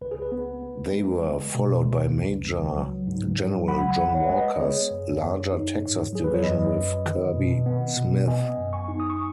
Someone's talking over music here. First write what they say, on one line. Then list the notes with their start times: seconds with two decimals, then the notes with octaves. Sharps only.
They were followed by Major-General John Walker's larger Texas division with Kirby Smith.
0.01 C#2 B4
0.11 G#4
0.22 B4
0.32 B3
0.63 B3
0.93 G#3
1.23 G#3
1.55 B2
1.85 C#2
2.15 C#2
2.46 C#2
2.76 F#3
3.07 G#2
3.38 F#3
3.68 B1 F#5 B5
3.91 F#5 B5
3.99 B1
4.14 C#5 F#5
4.29 G#3
4.37 B4 D#5
4.54 D#5
4.60 B3 G#4 C#5
4.91 F#2
5.21 F#2
5.52 D#4
5.82 G#2
6.13 F#3 G#4
6.24 B4
6.34 C#5
6.43 F#2 B4 D#5
6.75 F#2
7.06 D#3
7.36 B2
7.66 B3
7.97 B2
8.27 B3 D#5 G#5
8.57 F#2
8.73 G#5 C#6
8.88 D#4
9.00 D#6
9.10 C#6